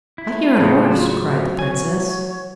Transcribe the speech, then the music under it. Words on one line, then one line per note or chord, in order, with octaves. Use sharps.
'I hear a horse,' cried the princess.
E4
A2 C#3 F4
F#3
C#5 G#5